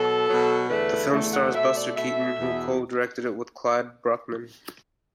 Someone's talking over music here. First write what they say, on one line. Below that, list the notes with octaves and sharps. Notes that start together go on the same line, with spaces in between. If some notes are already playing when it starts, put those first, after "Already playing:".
The film stars Buster Keaton who co-directed it with Clyde Bruckman.
Already playing: B2 F#3 A4
B2 F#3 B3
E2 D3 A3 B4
E2 D3 A3
F#5
B2 A3 E5
D5
B2 A3 E5
E2 B2 B3